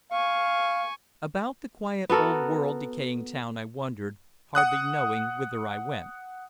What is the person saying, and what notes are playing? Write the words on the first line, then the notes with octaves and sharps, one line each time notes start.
About the quiet, old-world decaying town I wandered, hardly knowing whither I went.
F5 G#5 C#6
B3 F#4 A4 A#4
F#5 D#6 F#6